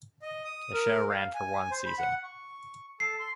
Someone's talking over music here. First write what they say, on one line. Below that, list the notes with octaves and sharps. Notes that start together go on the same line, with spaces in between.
The show ran for one season.
D#5
D#6
A#4
F5
G#5
C5
B5
F#5
C#6
A4 A5 C7
C6